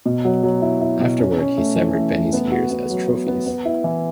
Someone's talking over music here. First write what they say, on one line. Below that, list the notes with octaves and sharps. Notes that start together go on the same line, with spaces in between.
Afterward, he severed Beni's ears as trophies.
B2
F#3
F#3
E4
E4
B2
C#4
C#4
A3
E3
A3
A3
B3
F#4
B3
F#3
B3
B3
B3
E4
E3